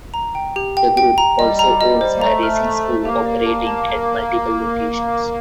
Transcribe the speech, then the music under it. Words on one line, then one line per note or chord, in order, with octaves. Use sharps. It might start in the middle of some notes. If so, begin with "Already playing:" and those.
The group also owns a racing school operating at multiple locations.
A#5
G5
G4
G5
G5
A#5
G3 D#5
A#5
D#5
C5
A#3
A3 A#5
F6
A#5
C5
A#3 G4
D5
A5
A5